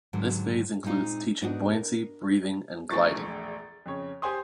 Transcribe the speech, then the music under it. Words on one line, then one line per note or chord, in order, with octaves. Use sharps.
This phase includes teaching buoyancy, breathing, and gliding.
G#2 D3 D#3 F#3
A#2 G#3 C4 D#4 F5
G#2 B3 D4 D#4 F#4
A#4
E1 A#1 A3 C#6 A6
F2 C#3 C#5
G4 C5 G5 G#5 C6 D#6